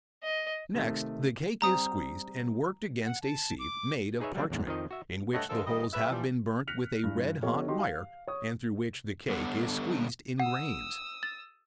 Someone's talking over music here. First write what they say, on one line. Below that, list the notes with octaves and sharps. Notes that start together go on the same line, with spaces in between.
Next, the cake is squeezed and worked against a sieve made of parchment, in which the holes have been burnt with a red-hot wire, and through which the cake is squeezed in grains.
D#5
C3 D#3 A3
G3 C4 A#5 D#6
F#5
A5
D6
D#4 G#4 B4 C#5 E5
F#3 G3 A#3 C4 D4
A1 E2 G#2
F2 D#3 F3 D#4 D#5
F#4 E5
G2 G3 A3 C#5 D#5 F#5
D3 F3 G#3 A4 A#4
D#3 G3 B4 D#5
F#2 A2 C#3 B4 E5
E3 F3 G3
F6 F#6 A#6 B6 C#7 F7
G2 E3
F3 B3 G4 A4 C#5 D#5
D#4 F#4 G4 C6
F5
C#5 D#6
D3 G3 B3 A4 C#5 F#5
F#5 D#6 E6
A6